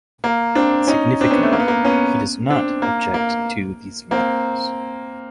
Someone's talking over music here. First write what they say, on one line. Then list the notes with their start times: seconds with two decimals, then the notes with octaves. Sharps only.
Significantly, he does not object to these matters.
0.24 A#3
0.55 C4 D4
0.87 C#4 D#4
1.21 C4 D4
1.31 B3 C#4
1.42 A3
1.53 A#3
1.60 B3
1.68 A#3
1.85 B3 C#4
2.50 C4 D4
2.82 A#3
3.14 A#3
4.11 A#3 C4